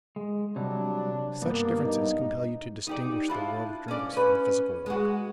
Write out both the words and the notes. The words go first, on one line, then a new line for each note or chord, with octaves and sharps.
Such differences compel you to distinguish the world of dreams from the physical world.
G#3
C3 F#3 G3 D4
G2 G3 A#3 B3
D#4
D#4 G4 D5
D4 E4 F4
C#4 D5
C#4 B4
G#3 F#4